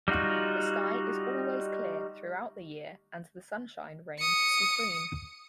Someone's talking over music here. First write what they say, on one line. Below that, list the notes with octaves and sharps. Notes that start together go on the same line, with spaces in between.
The sky is always clear throughout the year and the sunshine reigns supreme.
G3 D#4 F4 F#4
D#6 C#7